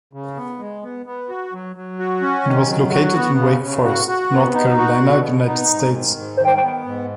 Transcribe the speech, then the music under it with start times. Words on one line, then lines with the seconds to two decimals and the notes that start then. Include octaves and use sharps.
It was located in Wake Forest, North Carolina, United States.
0.13 C#3
0.37 B3
0.59 G#3
0.83 B3
1.06 B3
1.29 F#4
1.53 F#3
1.76 F#3
1.99 F#4
2.22 C#4
2.45 D#3
2.68 F#3
2.92 F#4
3.15 B3
3.39 C#3
3.61 C#3
3.85 F#4
4.07 F#4
4.31 B3
4.54 D#4
4.77 F#4
5.00 B2
5.24 B3
5.47 D#4
5.70 G#2
5.94 D#3
6.16 G#2
6.39 D#3
6.63 B3
6.86 G#2